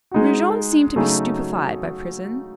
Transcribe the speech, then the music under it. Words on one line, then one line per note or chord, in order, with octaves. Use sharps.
Brujon seemed to be stupefied by prison.
G#3 D#4 F#4
C#3 F#3 A3 D#4 G#4